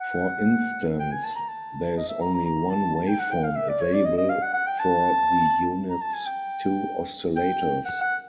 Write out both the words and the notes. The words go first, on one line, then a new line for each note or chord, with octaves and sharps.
For instance, there is only one waveform available for the unit's two oscillators.
F#5
G5
G#5
A5
A#5
A5
D#5
E5
A#5
A#5
A#5
A5
A5
G5
F#5
G5
F5
E5
D5
C#5
D5
D#5
D#5
F5
F#5
F#5
G5
A5
A#5
A5
G#5
G5
G5
F#5
F#5